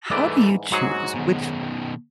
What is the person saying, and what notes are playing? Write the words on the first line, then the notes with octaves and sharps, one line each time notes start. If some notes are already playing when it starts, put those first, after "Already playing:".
how do you choose which
G#2 E3 A3 B3 D5
G#2 F#3 F#4 G#4
B2 D#3